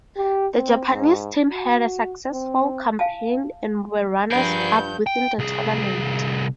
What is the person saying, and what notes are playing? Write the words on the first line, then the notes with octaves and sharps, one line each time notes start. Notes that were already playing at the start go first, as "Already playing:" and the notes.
The Japanese teamhad a successful campaign and were runners-up within the tournament.
G4
C4
G#2
F#4
C4
F5 G#5 A5
G2 F3 D4 G#4 A#4 F#5 B5 G6
G5
C2 G#4